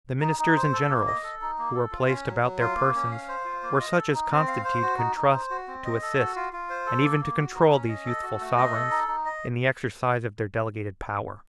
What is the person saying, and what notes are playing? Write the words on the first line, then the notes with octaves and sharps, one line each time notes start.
The ministers and generals, who were placed about their persons, were such as Constantine could trust to assist, and even to control, these youthful sovereigns in the exercise of their delegated power.
D#4
D#4
C5
A4
A#3
D#5
A4
D#4
A#3
A4
F4
C#4
F#3
F#3
F4
A#3
C#4
F5
C5
F4
A#3
D#5
A4
D#4
C4
F5
C5
F#4
D#4
D#4
C5
F#4
C4
D#5
A4
F#4
F4
F4
C5
A4
A#3
A#3
F#4
D#4
C#4
D#5
A4
F#4
A3
D#5
A4
D#4
D#4
D#5